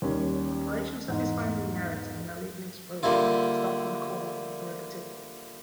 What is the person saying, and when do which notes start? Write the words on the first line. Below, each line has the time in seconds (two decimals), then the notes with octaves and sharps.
An operation satisfying linearity and a Leibniz rule is often called a derivative.
0.02 D#2 G3 C#4
1.08 E2 G#2
3.03 D3 G3 A#3 E4 F4